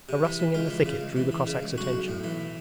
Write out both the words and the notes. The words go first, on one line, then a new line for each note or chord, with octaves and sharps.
A rustling in the thicket drew the Cossack's attention.
C3
E3
E3
C#2 F4
E3
C#3
C#2
E3
E3
C#3
C#2
B1 F#4
B1
A2
E3